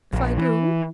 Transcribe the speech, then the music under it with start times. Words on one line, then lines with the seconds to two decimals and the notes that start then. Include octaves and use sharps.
"If I do?"
0.13 A#1
0.38 E3